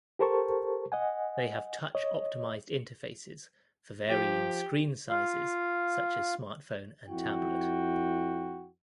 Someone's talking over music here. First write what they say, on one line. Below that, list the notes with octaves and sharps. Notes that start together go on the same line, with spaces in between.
They have touch optimised interfaces for varying screen sizes such as smartphone and tablet.
G4 A4 A#4 C5 A5 C#6
D#5 F#5 G#5
C#5 D#5
F3 G4
F4 F5
F2 E4 F#4 G5